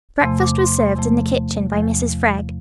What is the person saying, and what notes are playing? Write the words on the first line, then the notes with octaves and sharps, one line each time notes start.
Breakfast was served in the kitchen by Mrs. Freg.
E2 C3 F3 A3 C6
D6
C6
C6
E2 C3 F3 A3
E2 C3 F3 A3